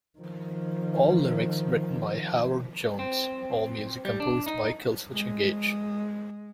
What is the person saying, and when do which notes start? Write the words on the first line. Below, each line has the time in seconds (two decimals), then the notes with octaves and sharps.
All lyrics written by Howard Jones, all music composed by Killswitch Engage.
0.19 D#3 F3
2.99 C4
4.05 G3
4.20 D4
4.46 D#4
5.12 G#3